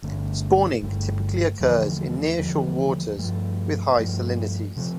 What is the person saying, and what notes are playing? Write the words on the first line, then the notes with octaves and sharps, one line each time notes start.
Spawning typically occurs in near-shore waters with high salinities.
G1 G2 D3 A3
G1 G2 D3 A3
E2 D3 F3 A3
E2 D3 F3 A3
G2 F3 A3
G2 F3 A3
C3 F3 A3